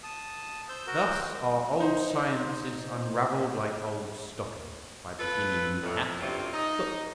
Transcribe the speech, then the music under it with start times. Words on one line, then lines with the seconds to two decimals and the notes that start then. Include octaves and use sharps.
Thus are old sciences unravelled like old stockings, by beginning at the foot.
0.03 A5 D#6
0.69 C5 E6 G6
0.87 F#4 A#4
1.80 D#4 C5
5.19 F4 A4 B4
5.82 F2 A2
6.20 D2 G2 C3 C#4 F4
6.53 D#4 D#5